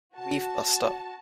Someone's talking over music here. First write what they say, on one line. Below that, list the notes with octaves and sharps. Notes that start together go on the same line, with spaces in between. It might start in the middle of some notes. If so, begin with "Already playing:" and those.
We've bust up.
F#4 A5